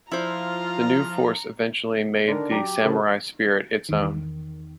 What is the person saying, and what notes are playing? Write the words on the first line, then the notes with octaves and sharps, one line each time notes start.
The new force eventually made the samurai spirit its own.
F3 E4 F4 C5 A#5
D3 D#3 D4 A#4
F#3 G4 A#5
C2 C#3
E2 D#3